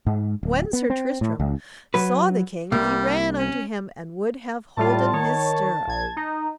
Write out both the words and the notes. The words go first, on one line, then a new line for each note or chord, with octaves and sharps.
And when Sir Tristram saw the king he ran unto him and would have holden his stirrup.
G#2
D1
B3
C4
A2
C#2
F#3 B4
C2 G3 A#3
C#4
A2 G3 F4 A5
D#3 C#5
A#1 G#6
D#4